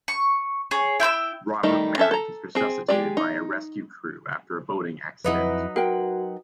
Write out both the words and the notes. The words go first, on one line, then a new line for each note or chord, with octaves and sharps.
Robert Merrick is resuscitated by a rescue crew after a boating accident.
C#6
G#4 C#5
E4 G5 B5 E6
D#3 G3 A3 D#4
C#4 A4 E5
A4 A#5
C4 G#4
G#3 G4 G#4 D5
D#4
F2 F#3 D#4 E4 B4
F#4 A#4 F#5 G5